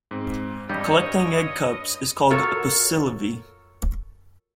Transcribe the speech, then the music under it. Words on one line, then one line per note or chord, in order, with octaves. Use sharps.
Collecting egg cups is called pocillovy.
G#2 C4
G2 G3 C#5 D#5
F4 F#4 A4 A#4 C#5